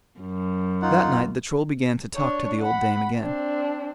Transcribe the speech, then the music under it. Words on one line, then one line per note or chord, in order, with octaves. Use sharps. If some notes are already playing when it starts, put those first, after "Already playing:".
That night the Troll began to talk to the old dame again.
F#2
D#4 F4 F#5
D4 C#5
F#5 B5
C4 D4